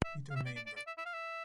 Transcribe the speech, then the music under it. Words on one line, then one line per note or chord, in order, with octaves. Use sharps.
Peter Meienberg.
E5
F5
E5
D5
D5
D5
D5
E5
E5
F5
E5